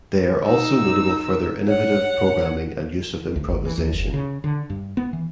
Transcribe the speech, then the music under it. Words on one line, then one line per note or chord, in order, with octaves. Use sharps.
They are also notable for their innovative programming and use of improvisation.
D#4 E6
C#5 F#5
D2
G#1
E3
D#2
F#1
C#3
D3
G2
B3
E3